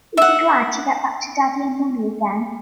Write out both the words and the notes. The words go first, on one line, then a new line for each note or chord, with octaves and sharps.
Is he glad to get back to Daddy and Mummy again?
E5 F#5